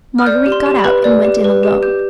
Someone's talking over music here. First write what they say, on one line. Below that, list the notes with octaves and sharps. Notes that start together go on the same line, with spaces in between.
Marguerite got out and went in alone.
F6
D5 G6
G4
C6
G4
B5
B4
D5
G4
B4
G4
G4 G6